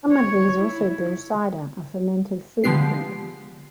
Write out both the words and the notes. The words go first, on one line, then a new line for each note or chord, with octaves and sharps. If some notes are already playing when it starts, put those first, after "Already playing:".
Some of these also brew cider, a fermented fruit drink.
C#5
E4
D3 F3 G#3 B3 G4 C7